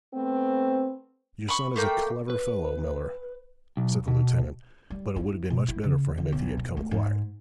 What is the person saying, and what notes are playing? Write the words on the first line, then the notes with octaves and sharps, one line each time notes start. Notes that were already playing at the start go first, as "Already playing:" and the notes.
'Your son is a clever fellow, miller,' said the lieutenant; 'but it would have been much better for him if he had come quiet.'
A3 B3 C4
B5 C#6
A3 A#3 G5
B4
B1
B2
G3
E4
B2
E4
C#3
D3
B1
B2
A3
G#2